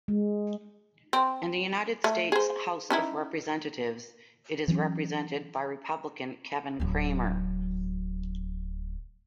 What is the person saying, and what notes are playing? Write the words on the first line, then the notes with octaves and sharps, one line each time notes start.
In the United States House of Representatives it is represented by Republican Kevin Cramer.
G#3
C4
A3
G#4 C5
C#4 D#4 E4
E3 F#3 B3 C#4
D1 F#3